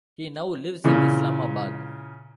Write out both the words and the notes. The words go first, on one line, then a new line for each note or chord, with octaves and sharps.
He now lives in Islamabad.
A#2 C#3 E3